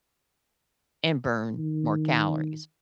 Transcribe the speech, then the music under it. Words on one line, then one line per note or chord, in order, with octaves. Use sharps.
and burn more calories.
D#3